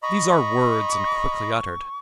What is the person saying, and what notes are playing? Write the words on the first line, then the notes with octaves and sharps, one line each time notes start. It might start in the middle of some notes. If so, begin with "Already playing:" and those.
These are words and quickly uttered.
D#5 A#5 B5 C#6